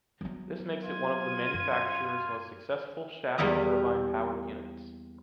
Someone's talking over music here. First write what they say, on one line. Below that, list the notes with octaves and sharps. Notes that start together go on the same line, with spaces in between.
This makes it one of the manufacturer's most successful shaft turbine power units.
F#3 B3
F4 G#6 D#7
F#2 F4
E2 G3 A#3 E4 D#5